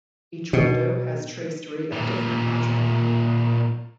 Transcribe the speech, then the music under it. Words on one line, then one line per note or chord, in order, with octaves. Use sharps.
Each window has tracery of a different pattern.
B2
A#2 G3